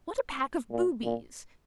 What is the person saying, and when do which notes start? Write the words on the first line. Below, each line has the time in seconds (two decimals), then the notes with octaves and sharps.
What a pack of boobies!
0.70 A#2
1.03 A#2